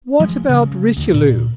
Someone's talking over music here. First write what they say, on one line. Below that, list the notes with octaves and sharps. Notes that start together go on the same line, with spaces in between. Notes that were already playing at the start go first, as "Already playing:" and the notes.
"What about Richelieu?"
F3 G#3
C#3
D2
A#2